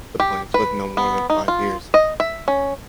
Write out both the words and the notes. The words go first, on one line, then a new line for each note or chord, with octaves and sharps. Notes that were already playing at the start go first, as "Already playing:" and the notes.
The plants live no more than five years.
G4
B4
B3
D#4
F4
D#5
E5
C#4